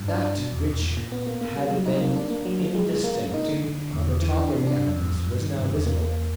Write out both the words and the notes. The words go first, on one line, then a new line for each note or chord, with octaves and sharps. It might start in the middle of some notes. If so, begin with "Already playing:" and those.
That which had been indistinct on the top of the eminence was now visible.
Already playing: G2
D4
D4
B2
E2
E2
A#2
A#2
B3
A#3
A#3
G3
F#3
D#4
A#3
D4
A#3
F#3
F3
G#3
G#3
A#3
A#3
D#4
D3
D3
D3
E2
E2
E3
D4
C3
D4
F2
F2
F2
G2
D#3
G2
E2
A#3
A#3